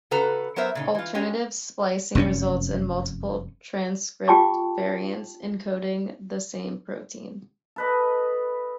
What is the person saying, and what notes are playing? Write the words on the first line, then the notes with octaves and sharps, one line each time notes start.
Alternative splicing results in multiple transcript variants encoding the same protein.
C#3 F#4 A4 B4 A#5
F#3 B3 A#4 C5 E5
A#2 C#3 D#4
E3 F4
G#3 C#4 G4
F1 F#2 C4 C#4
F4 G4 G5 A5 C#6 D6
A4 B4 D#5